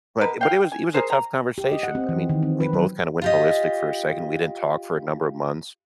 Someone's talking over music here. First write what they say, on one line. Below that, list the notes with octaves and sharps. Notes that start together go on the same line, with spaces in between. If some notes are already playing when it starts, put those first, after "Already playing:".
But i but it was it was a tough conversation, I mean, we both kinda went ballistic for a second, we didn't talk for a number of months,
B2 A#4 B4
F5 G5
G#5
G#4 A#4 C5
A#5
G4
D#5
F#5
C4
E3
D#3
C4
B4
F#3
F4 G4 D#5